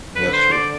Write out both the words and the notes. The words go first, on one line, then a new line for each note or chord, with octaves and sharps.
That's true.
D3 B4
C5
D5